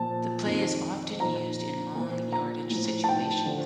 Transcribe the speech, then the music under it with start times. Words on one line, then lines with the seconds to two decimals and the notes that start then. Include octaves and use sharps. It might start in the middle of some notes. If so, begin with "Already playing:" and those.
The play is often used in long yardage situations.
Already playing: A#2 F3 A5
0.46 F2 D#3
1.20 A#2 F3 A#5
1.95 A#2 F3
2.32 A#5
2.70 A2
2.75 F3
3.04 A5
3.09 G5
3.45 D3 F3